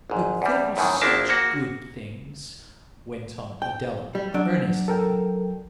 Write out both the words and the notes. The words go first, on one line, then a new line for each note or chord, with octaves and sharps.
"But they are such good things," went on Adela earnestly.
G#1 G#2
E2 G3
F#2 A2 D#3 E3
G#1 F3 A#3 D4 E4 A5
A#3 F#4
G5
G3
F#3 D4
A4 A#4 G5